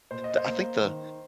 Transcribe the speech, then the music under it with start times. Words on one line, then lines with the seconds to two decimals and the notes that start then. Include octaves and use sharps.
t I think the
0.11 A#2 C5
0.24 D#5
0.37 C5
0.46 A#3
0.81 D#3